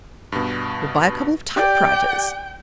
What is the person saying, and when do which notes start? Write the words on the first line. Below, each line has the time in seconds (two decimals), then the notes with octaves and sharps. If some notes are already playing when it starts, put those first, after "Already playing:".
We'll buy a couple of typewriters.'
0.32 G2 B2
1.56 G4 D5 G5